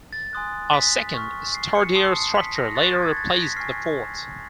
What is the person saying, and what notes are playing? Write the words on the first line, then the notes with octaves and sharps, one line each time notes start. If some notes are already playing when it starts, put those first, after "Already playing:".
A second, sturdier structure later replaced the fort.
A6
G#5 C6 D#6 F#6
B6
C#6 F6
C7
C#7
A5 C6 D#6 C7
B6
A#6
C#6 F#6 A6
A6
G#6
A6
A#6
B6
G#5 C#6 F6 C7